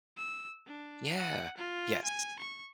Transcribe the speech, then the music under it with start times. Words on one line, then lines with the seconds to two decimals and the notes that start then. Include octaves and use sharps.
Yeah. Yes.
0.17 E6
0.66 D4
1.17 F#5
1.58 F4
2.04 G#5
2.39 C#6